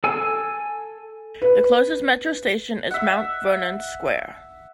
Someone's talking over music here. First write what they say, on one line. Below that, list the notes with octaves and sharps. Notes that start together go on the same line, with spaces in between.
The closest Metro station is Mount Vernon Square.
A4 G#5 E6
B4
E5 F#5